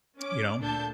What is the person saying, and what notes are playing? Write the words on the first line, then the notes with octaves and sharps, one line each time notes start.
you know,
C#4 D6
D2 A#2 D4 A4 A5 G6